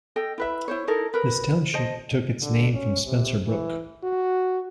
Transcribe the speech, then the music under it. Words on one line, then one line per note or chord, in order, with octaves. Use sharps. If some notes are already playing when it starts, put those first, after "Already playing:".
This township took its name from Spencer Brook.
A4 D#5 G5
E4 B4 E5
E4 C5 C#5
D#4 E4 A4 A#4
A#4 B4
C5 D#5 A5
D3
C#4
C3
E3
F#4